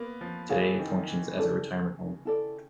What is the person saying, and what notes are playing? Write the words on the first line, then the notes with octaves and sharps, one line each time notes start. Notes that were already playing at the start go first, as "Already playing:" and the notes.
Today, it functions as a retirement home.
Already playing: A#3 B3
F3
E3 E4 G#4 C#5 F5
D#3
E3
C#3 E4 A4 D5
E4 A4 D5